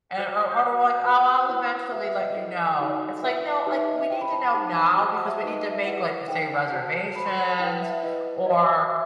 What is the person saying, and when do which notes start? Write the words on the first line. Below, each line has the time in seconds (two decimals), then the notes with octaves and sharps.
and or or, like, "Oh, I'll eventually let you know." It's, like, "No, like, we need to know now because we need to make," like, say, "reservations," or,
0.18 F#4 C5 F#6
0.52 G6
0.61 F#4 B4 F#6
0.93 G6
1.05 F#4 B4 F#6
1.20 F#6
1.34 E6
1.48 E4 B4 F#5
1.92 F#4 B4 E5
2.07 E5
2.21 D#5
2.35 E4 A4 C5
2.80 D#4 F#4 A4
3.23 E4 B4 E5
3.66 D#4 G4 B4 E5
3.77 E5
3.89 D#5
3.99 E5
4.10 E4 G4 C5 G5
4.21 B5
4.32 A5
4.44 B5
4.53 D#4 G4 C5 A5
4.97 F#4 C5 A5
5.13 F#5
5.27 E5
5.41 D#4 G4 B4 D#5
5.55 D#5
5.71 E5
5.85 E4 G4 B4 F#5
6.28 D#4 A4 C5 G5
6.72 F#4 A4 C5 A5
7.16 F#4 A4 C5 B5
7.26 C6
7.38 B5
7.49 A5
7.59 E4 B4 G5
7.70 F#5
7.82 E5
7.92 E5
8.03 E4 B4 D#5
8.46 F#4 C5 D#5
8.90 E5